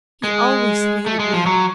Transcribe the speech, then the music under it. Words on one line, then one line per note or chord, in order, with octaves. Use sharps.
He always hated me.
G#3
A3
G#3
F3
F#3